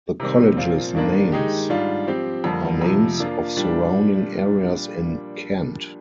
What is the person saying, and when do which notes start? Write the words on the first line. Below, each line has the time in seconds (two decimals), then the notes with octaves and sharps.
The college's names are names of surrounding areas in Kent.
0.20 C3 D#3 G3 C4
0.57 A#2 F3 C4 F4
0.95 G2 D#3 A#3 D4
1.32 D#3 G#3 D#4 G4
1.70 G#2 G3 D4 F4
2.07 F3 C4 G4
2.44 F2 D3 G3 A#3
2.81 F2 C3 F3
3.19 F3 A#3 D4 F4
3.57 A#2 G3 D4 G4